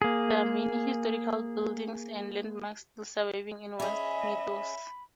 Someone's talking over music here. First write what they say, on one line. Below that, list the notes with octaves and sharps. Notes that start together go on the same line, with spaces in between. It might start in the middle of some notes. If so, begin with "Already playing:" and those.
There are many historic buildings and landmarks still surviving in Westmeadows.
A#3 G#4
C#4 G#4 D#5 E5 B5